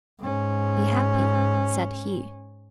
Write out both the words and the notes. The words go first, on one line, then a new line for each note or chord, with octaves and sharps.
"Be happy!" said he.
G#2 C#4